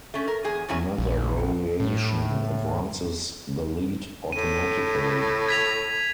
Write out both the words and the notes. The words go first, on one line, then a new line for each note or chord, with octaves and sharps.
Another variation advances the lead automatically.
A3 C#4
A#4
E2 G#4 G#5
E2 A2 F#3 C#4 E4 G#5
A#1
A2
A2 D#7
G#6 B6 F7